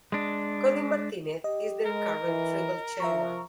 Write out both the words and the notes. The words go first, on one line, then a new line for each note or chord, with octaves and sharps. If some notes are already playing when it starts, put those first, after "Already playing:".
Cody Martinez is their current tribal chairman.
G#3 D4
G4 D#5
G#3 A#4
E3
F3 E5 A#5 C#6